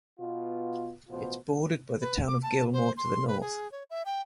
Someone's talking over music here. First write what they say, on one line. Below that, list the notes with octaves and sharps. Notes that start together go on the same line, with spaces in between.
It is bordered by the town of Gilmore to the north.
B2 B3 F4
A1 B2 B3 F4 C5
B4
D6
A5
C5
C6
B4
G#4
C#5
E5
G5